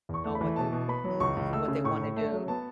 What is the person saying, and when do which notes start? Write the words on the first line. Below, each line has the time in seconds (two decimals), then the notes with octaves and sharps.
Now what they Mhm, what they wanna do.
0.09 E2 C#6
0.24 A3
0.35 B5
0.41 E3
0.56 B2 A5
0.72 B2
0.88 B3 B5
1.04 F#3
1.20 C#2 C#6
1.37 C#2
1.53 A3 E6
1.68 C#3
1.84 A2 C#6
2.01 A2
2.16 A3
2.32 F#3
2.48 B3 A5